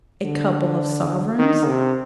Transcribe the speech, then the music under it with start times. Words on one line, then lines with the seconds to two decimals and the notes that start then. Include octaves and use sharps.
'A couple of sovereigns.'
0.25 D3
1.39 D#3
1.67 C3